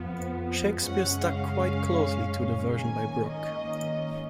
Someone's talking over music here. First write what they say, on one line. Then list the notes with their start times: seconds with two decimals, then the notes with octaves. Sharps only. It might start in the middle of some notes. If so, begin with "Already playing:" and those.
Shakespeare stuck quite closely to the version by Brooke.
Already playing: F2 F3 B3
0.81 F#2 C#3 G#3 C#4 F#5
1.29 F5
2.76 G#2 D#3 A#3 C#4 G#5
3.26 D#5